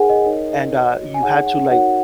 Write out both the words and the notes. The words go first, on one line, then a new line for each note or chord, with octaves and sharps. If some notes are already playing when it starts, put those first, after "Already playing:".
and, uh, you had to, like,
Already playing: D#4 G#4 A#4 C#5 F#5 G#5
D#5
D#4 A#4 C#5
F#4 C#5
G#5
D#4 G#4 C#5 F#5
F#5
D#4 F#4 A#4 C#5 F#5